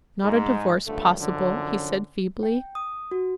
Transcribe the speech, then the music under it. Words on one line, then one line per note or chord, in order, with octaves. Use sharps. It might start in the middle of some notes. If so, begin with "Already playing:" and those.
"Is not a divorce possible?" he said feebly.
G#2 G#3
C#2 G2 D3 A3
F#2 D3 F3 C#4
G5
D#6
F#4